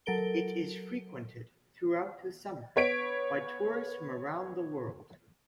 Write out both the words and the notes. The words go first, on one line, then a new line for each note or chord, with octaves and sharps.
It is frequented throughout the summer by tourists from around the world.
F#3 A4 A#4 D7 G7
B3 C#5 B6 D7